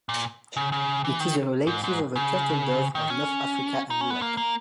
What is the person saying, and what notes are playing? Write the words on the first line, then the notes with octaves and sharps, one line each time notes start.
It is a relative of the turtledove of North Africa and Europe.
A#2
C#3
C#3
E3
D#3
G#2
G#2
C#3
D#3
C#4
D#4
C#4
B3
A#3
A#3